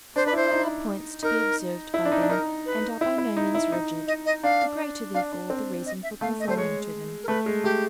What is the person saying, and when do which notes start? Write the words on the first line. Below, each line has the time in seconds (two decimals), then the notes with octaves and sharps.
The following are points to be observed by them, and are by no means rigid; the greater therefore the reason for conforming to them.
0.16 D4 C5
0.26 B4
0.33 E4 C5
0.52 D#4
1.23 D#4 A#4
1.94 E4
2.05 D4
2.12 D#4
2.22 D4
2.29 D#4 A#4
2.66 B4
3.01 E4
3.18 E4
3.37 D#4
3.55 E4
3.72 D#4
4.07 D#5
4.26 D#5
4.43 D4 F5
5.14 D4 F5
5.32 D4
5.50 C4
5.86 D#5
6.03 E5
6.21 A3 F5
6.40 D#5
6.48 A3 C5
6.57 G#3 C#5
7.24 A#4
7.28 A3 B4
7.46 G#3
7.64 A3 G4